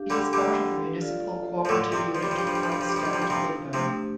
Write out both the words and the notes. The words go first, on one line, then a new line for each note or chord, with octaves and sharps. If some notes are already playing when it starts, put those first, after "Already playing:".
It is part of the municipal cooperative unit Parkstad Limburg.
Already playing: D4 G4 F5
D3 G3
D3 G3
F4 A4 D5 F5
F3
A2 D3
C3 F3
F3
G3
F3
G3 D4 F4 A4 C5 F5
F3
G3
F3
G3
F3
G3
F3
G3
F3
G3
C3 F3
C3 F3 A3 D4 G4 C5